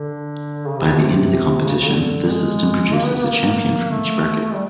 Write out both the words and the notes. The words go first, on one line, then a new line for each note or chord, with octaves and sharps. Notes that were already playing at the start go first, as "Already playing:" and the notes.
By the end of the competition, this system produces a champion from each bracket.
Already playing: D3
C#3
C3
C#3
C3
C#3
C#3
D3
G#3
A#3
B3
B3
A#3
A3
G3